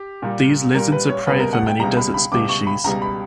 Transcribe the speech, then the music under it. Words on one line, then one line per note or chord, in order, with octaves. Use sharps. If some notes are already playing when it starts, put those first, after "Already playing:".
These lizards are prey for many desert species.
Already playing: G4
A#2 G3
A#2 G3 A#4
B4
C#5
C#2 B2 G3 B4
A#4
F#5
G5
C#2 B2 G3 A#5
B5
B5
C#2 B2 G3 D6
C#6
B5
C#2 B2 G3 A#5
B5